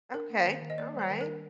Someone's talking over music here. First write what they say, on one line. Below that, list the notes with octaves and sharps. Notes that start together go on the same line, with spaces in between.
Okay, alright,
D4 A#4
A#3
D#3 C5
D#3
D#5
A#3 D5
G3 C5
D#3
A#4
D4